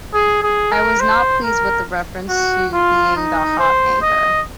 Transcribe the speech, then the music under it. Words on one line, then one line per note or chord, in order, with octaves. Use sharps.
I was not pleased with the reference to being the 'hot anchor'.
G#4
G#4
A#4
C5
A#4
F#4
F4
D#4
C5
D#5